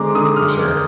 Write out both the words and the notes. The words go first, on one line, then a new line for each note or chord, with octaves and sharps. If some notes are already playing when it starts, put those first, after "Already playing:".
For sure.
Already playing: D3 G#3 C4 A#5 C6 D6
D3 D#6
F6